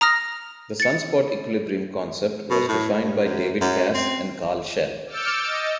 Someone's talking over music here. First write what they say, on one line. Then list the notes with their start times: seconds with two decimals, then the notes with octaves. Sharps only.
The sunspot equilibrium concept was defined by David Cass and Karl Shell.
0.01 A#5 D#6 F6 A#6
0.80 A6 C#7
2.50 B2
2.69 A2
3.03 G2
3.24 F#2
3.61 F#2
3.94 C4
5.07 D6 E6 F6 G6 A6 C#7
5.43 D#5